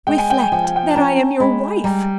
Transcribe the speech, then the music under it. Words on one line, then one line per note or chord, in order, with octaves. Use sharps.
"Reflect that I am your wife!"
G#3 G5
G#5
G5
G#5
F3 G5
G#5
G5
A5
C#4 A#5
G#3 B5
G3 A#5